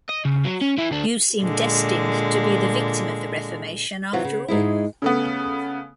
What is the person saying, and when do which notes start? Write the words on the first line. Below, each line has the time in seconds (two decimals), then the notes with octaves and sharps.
You seem destined to be the victim of the reformation, after all.
0.09 D#5
0.25 C#3
0.45 F#3
0.62 C#4
0.78 E3 E4
0.91 D2 D4
1.40 A#2 D3 G#3
4.13 C3 E3 F#3 F4 F#4
4.24 C#3
4.48 G#2 G#3 E4
5.02 C#3 A3 B3